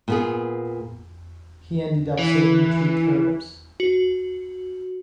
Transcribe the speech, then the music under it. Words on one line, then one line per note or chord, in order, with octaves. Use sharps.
He ended up serving two terms.
A#2 B3 G#4
E3
F#4